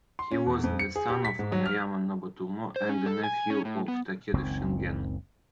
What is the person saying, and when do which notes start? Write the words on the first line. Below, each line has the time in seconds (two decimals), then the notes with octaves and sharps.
He was the son of Anayama Nobutomo and a nephew of Takeda Shingen.
0.19 C6
0.31 C#4
0.46 E2
0.64 F2
0.79 C#7
0.96 G#4
1.10 G4
1.25 B6
1.39 G#2
1.52 F#3
1.66 F6
2.76 C5
2.89 C#4
3.06 A4
3.24 G#5
3.50 C#4
3.65 A2
3.88 B3
4.34 F#1 C#2 D#3 C4